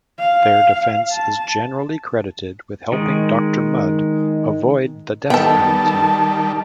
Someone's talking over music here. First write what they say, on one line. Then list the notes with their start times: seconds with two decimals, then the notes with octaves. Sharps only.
Their defense is generally credited with helping Doctor Mudd avoid the death penalty.
0.19 F5
1.11 A5
2.92 D#3 G#3
5.30 D#3 G3 B3 D#4 A4 G5 A5